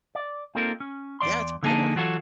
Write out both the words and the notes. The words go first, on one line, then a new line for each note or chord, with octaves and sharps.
Yeah, it's boring.
D5
A#3 C4 D#4 F4 A4 A#4
C#4
E2 E3 D5 C6
D3 F3 A#3 D#4 G#4 A5
E3 F#3 F4 F#4 A4 C#5